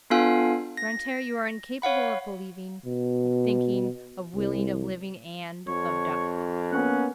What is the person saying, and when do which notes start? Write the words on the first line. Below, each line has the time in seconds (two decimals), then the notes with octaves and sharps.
"Grantaire, you are incapable of believing, of thinking, of willing, of living, and of dying."
0.10 B3 D4 F4 A4 F5 G#5
0.77 A#6
1.82 C#5 F5 F#5 B5
2.85 B2
4.35 C2
5.68 F2 C#5
6.72 A#3 B3 C#4 F#5